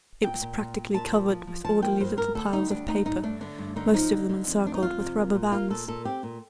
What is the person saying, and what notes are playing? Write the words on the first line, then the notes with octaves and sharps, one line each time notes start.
It was practically covered with orderly little piles of paper, most of them encircled with rubber bands.
A#2 G5
A#2
A#2
A#2
A#2 A5
F3
F3
F3
F3 A5
A#3 G5
G2 C5
G2 A#4
D2 A4
G3 D#4
D2 D4
D2 D#4
G2 D#4
A3 D4
D3 D4
G2
D3 D#4
F3 D#4
D3
D3
F2
A3 D4
D#4
F2 F4
C3
A#3
A#2
A#3 F4
A#2 A4
A#2 A4
C4 G4
A#2